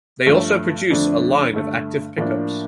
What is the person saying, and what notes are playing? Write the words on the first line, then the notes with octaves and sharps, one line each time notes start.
They also produce a line of active pickups.
G2 F3 A3
F2 D3 A3 D4
G2 D3 A3
A2 F3 A#3 D4